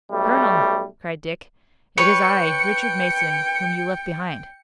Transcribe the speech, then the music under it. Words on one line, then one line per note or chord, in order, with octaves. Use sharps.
"Colonel," cried Dick, "it is I, Richard Mason, whom you left behind!"
B1 G3 A3
B4 C#5 G5 B5 C#7